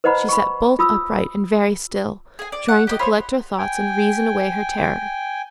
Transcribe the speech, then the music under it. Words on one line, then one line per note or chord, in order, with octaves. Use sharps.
She sat bolt upright and very still, trying to collect her thoughts and reason away her terror.
B4 C5 D#5 F#5 A#5 B5
B5 C#6
F4 B5 D#6 E6
G#4 G#5
D5
F#5
G4 C5 D#5
F4 C5 C#5 B5
G5 G#5